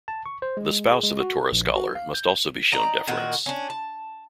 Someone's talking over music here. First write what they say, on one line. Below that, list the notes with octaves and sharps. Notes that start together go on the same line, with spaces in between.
The spouse of a Torah scholar must also be shown deference.
A5
C#6
C5
G#3
G#4
G#3
F#4
A#1
F#4
F5
G6
D#4 D5 A#5
A#2 D#3 F#4
C#4 D4
A5